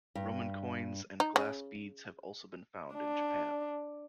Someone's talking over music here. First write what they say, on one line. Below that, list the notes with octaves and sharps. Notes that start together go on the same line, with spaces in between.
Roman coins and glass beads have also been found in Japan.
G2
D#4
C#3
D4